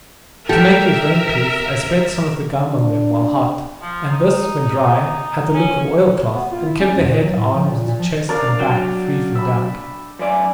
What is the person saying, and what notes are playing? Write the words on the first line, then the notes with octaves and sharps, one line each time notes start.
To make these rain proof, I spread some of the gum on them while hot, and this, when dry, had the look of oil cloth, and kept the head, arms, chest, and back free from damp.
G4 A4 A#4 E5
D4
F3
D#4
C#4
B3
F4
E4
C#4
E2
A#2
F#3
A2
F3
A#2
A#2
F3
D4 A#4 D5 F5
F#3 G5
E5 B5
F#2 D5 G#5